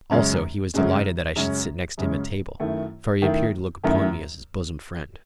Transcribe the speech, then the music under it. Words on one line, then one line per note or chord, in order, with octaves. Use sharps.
Also, he was delighted that I should sit next him at table, for he appeared to look upon me as his bosom friend.
F#2 C#3 G#3 C#4
F#2 C#3 G#3 C#4
F#2 C#3 G#3 C#4
F#2 C#3 G#3 C#4
F#2 D#3 A3 E4
F#2 D#3 A3 E4
F#2 D#3 A3 E4